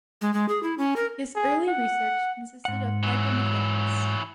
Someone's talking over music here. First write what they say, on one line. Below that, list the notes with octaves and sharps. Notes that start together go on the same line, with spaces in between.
His early research consisted of hydromechanics.
G#3
G#3
G#4
E4
C#4
A#4
G#4
F#5
G#2 F#5
E3 F#3